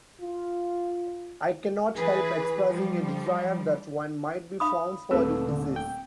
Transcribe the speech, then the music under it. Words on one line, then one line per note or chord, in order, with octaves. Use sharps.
I cannot help expressing a desire that one might be found for this disease.
F4
E3 G#4 B4
F3 G3
F5 B5 D#6
D#1 A3 C4 B4 E6
D3
G5